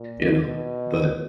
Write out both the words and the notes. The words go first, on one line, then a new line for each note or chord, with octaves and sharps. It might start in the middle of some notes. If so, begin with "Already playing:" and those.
you know, but
Already playing: A#2
B2